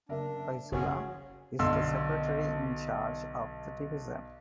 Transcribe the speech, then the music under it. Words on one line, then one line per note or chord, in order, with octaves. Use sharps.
Faizullah is the Secretary in charge of the division.
F#1 D4 A#4 E5
F#1 C#3 F#3 C#4 F#4 G#4
B1 D3 C6 E6